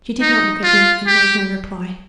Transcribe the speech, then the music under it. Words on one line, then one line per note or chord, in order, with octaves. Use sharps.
She did not look at him, and made no reply.
D#4
F4
G4